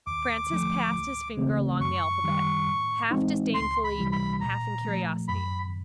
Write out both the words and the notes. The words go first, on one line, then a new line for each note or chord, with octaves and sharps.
Francis passed his finger along the alphabet, half disdainfully, half in curiosity.
D#2 D6
D3 F3 A3
D2
C#3 E3 A3 C4
F#2 C#6
D#3 G3
A2
E3 G#3 C4 D#4
C#2 C6
B5
C3 E3 G3
B5
A#2 A#5
F3 A3
F#2 B5